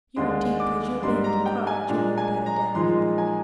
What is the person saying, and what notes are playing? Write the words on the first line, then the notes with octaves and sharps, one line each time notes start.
You think, 'cause you been to college, you know better than anybody.
D#2 D3 G#3 D4 C6
D6
G#2 G3 D4 C6
A#5
G5
G#5
A#2 G#3 D4
G#5
A#5
A#2 F3 G#3 D#4 C6
G#5